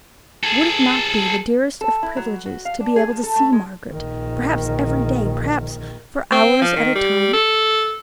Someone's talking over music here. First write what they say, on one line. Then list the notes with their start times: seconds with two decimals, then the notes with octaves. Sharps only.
Would it not be the dearest of privileges to be able to see Margaret, perhaps every day, perhaps for hours at a time?
0.43 G#4 A4
1.81 A4
2.03 E4
2.17 F#3
2.46 F#4
2.65 F5
2.80 D4
2.96 G#4
3.10 F3
3.23 A4
3.36 A3
3.52 G#3
3.93 A#1 D#3
6.32 C4
6.61 F3
6.76 D#3
6.95 G3
7.33 A4